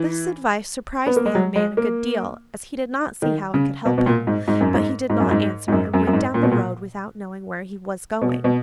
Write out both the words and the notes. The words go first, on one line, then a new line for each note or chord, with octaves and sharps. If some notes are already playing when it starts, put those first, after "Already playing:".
This advice surprised the young man a good deal, as he did not see how it could help him; but he did not answer, and went down the road without knowing where he was going.
Already playing: E3
B3
A#3
G#3
F#3
G#3
A#3
D#3
C#3
B2
B2
A#2
G#2
G#2
F#2
G#2
G#2
F#2
G#2
G#2
F#2
F#2
F#2
G#2
A#2
B2
A#2
B2
B2